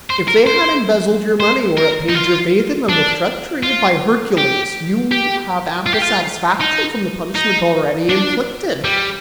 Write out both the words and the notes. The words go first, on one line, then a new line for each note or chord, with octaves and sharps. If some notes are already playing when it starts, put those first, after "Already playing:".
If they had embezzled your money or repaid your faith in them with treachery, by Hercules, you have ample satisfaction from the punishment already inflicted!
C5
A#4
C5
C5
A#4
D#4
F4
D4
F4
G4
G4
F4
G4
F4
D#4
D#4
D4
G3